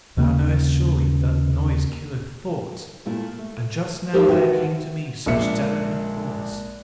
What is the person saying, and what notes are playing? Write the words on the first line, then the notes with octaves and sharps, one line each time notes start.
Thou knowest surely that noise killeth thought,--and just now there came to me such delicate thoughts.
D#2 C#3 A#3
A#2 A3 E4
A3
F3 D#4 E4 G4 A#4 C5
D3 D#3 F#4 B4 E5 G5
A#1 G#3 A#3 D4 E5 C#7